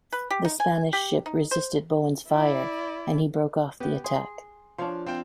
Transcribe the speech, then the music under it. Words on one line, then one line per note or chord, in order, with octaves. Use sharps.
The Spanish ship resisted Bowen's fire, and he broke off the attack.
B4
G4
D#4
G#5
G4
D#4
C5
E4 D5
B3 G4
G#4 C6
F3 D4 C#5 F5 C6
C4 F4 G5